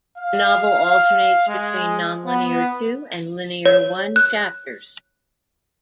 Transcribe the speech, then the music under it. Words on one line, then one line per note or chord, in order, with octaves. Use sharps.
The novel alternates between non-linear "Two" and linear "One" chapters.
F5
G#3
B3
C#5
F#6